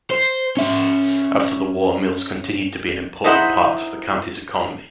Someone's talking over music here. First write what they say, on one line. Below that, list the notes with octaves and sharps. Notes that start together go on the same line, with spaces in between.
After the war mills continued to be an important part of the county's economy.
C5
C#4 E5
D#4 E4 G#4 C5 E5 F#5